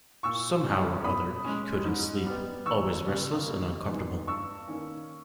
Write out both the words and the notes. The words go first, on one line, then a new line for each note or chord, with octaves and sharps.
Somehow or other he couldn’t sleep — always restless and uncomfortable.
A#2 C#6 E6
G3 C#4
B2 B5 D#6
G#3 C#4
G#2
G3 B3
D#2 C#6 E6
C#3 G3
D#2
D#3 G#3 B3
G2 C#6 E6
D#3 A#3 C#4